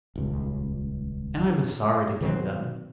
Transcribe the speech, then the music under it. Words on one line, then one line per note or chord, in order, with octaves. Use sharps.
And I was sorry to give them.
D#1 C#2
B2 D#3 F#3 C4